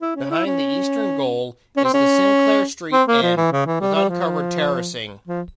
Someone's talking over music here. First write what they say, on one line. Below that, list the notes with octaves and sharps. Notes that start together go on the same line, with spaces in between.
Behind the eastern goal is the "Sinclair Street" end, with uncovered terracing.
E4
C#4
E4
C#4
C#4
C4
C#4
C4
A#3
F3
E3
C#3
E3
G3
G3
F3
F3